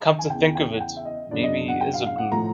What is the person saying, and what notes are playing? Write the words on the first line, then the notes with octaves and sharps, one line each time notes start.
Come to think of it, maybe he is a guru.
G#5
E2 C#3 E3 G5
G5
F#5
G5
E5
D#5
F#2 C#3 F#3 B3 D4 D5
D#5
F#5
G5
F5
F5
F#5
A2 F3 A3 A#5